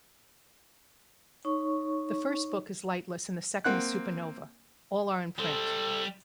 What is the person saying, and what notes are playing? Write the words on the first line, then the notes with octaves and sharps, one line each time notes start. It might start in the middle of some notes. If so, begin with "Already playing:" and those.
The first book is "Lightless" and the second is "Supernova", all are in print.
D#4 C#5 C#6
A#3 C4 F#5 F#6
G3 A4 C5